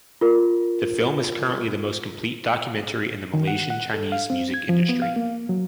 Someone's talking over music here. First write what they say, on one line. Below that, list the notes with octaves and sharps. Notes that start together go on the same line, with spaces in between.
The film is currently the most complete documentary in the Malaysian Chinese music industry.
F4 A#4
D#3
F#5
F#5
A4
F5
C4
G#6
F3
B3
F5
A#3
F#3